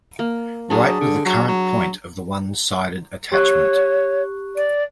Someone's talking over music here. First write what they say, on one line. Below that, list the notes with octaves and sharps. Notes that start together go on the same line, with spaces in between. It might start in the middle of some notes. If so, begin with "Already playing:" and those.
Right with the current point of the one-sided attachment.
A#3
F#3 D4 G#4 B4
D3
F#3
F#3
G4 C#5 C#6 F#6
D5